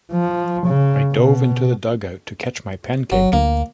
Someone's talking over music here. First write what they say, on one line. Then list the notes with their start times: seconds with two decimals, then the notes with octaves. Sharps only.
I dove into the dugout to catch my pancake.
0.13 F3
0.67 C#3
1.13 B2
3.12 G1 F#3
3.33 D2 A#3